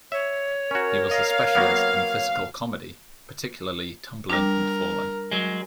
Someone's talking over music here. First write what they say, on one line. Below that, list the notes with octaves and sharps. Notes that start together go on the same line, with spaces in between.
He was a specialist in physical comedy; particularly tumbling and falling.
C#5 E5
C#4 F#4 A#4
D#5 F5 A#5
F#3 A#3 B3
G3 D4 A#4
F#3 G#3